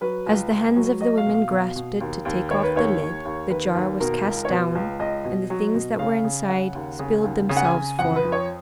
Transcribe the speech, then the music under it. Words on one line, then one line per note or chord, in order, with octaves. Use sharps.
As the hands of the women grasped it to take off the lid the jar was cast down, and the things that were inside spilled themselves forth.
F#3 B4
C#2
C#2
F#3
F#3 D#5
F5
B2
F5
B2
B2
D#2
D#2
D#3 C#5
B4
D#2 C#5
D#2
D#2
D#3 B4
D#2
B2 A#4
C#2
C#5
B2 B4
C#2
C#2 D#5
B2
F#3
B2
C#3 F5
C#3
C#3 F#5
D#2
C#3
D#2
C#3 G#5
F#5
G#5
C#3
F2 F#5
B4
F3
C#5